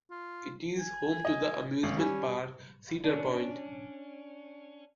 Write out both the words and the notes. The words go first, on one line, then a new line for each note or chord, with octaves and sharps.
It is home to the amusement park Cedar Point.
F4
G#5
D#5
G#1 C#4
G3 G#5
C#4 D4